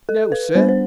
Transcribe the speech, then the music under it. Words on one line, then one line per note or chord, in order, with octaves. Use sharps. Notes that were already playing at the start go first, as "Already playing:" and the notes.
"No, sir."
A4
B4
G3 B3 D4 C5
C5